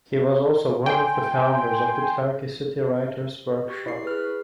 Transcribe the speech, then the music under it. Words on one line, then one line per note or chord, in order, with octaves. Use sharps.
He was also one of the founders of the Turkey City Writer's Workshop.
G5 G#5 C6
G4 C#6
E4 C#6 C7
G#4 B4 F6